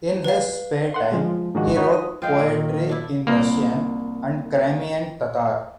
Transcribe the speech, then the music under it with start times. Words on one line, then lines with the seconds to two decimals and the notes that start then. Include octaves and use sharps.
In his spare time he wrote poetry in Russian and Crimean Tatar.
0.24 B4 F5
0.94 F#5 C6
1.12 F3 G#3
1.55 G#2 D#3 F3 G#3 D4 F#4
1.77 D#4 F#4 B4 C#5
1.93 D#6
2.22 F3 G#3 F4 F5 G5
2.40 A#2
2.53 D#3
2.89 D4 E4
3.27 C2 A#3